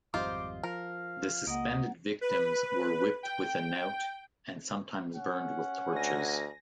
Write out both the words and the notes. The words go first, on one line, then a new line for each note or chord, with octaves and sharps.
The suspended victims were whipped with a knout and sometimes burned with torches.
G#1 F2 G3 D#4 F4 C5 D6
F3 A#4 F5
C#2 A#3 D#5 F#5
B4
G5
C#4 F#5
D2 G#5 A#6